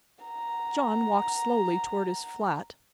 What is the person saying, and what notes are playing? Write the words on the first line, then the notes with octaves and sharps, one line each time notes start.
John walked slowly toward his flat.
F#5 A#5